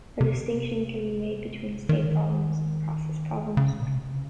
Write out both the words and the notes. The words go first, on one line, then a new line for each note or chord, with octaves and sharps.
A distinction can be made between state problems and process problems.
C3
D#3
C#3
A#2
C3
C#3